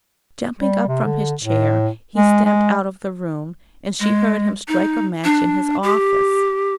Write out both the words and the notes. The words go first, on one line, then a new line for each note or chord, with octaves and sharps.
Jumping up from his chair, he stamped out of the room, and she heard him strike a match in his office.
G3
C3
D3
A2
G#3
G#3
G#3
D#4
D4
G4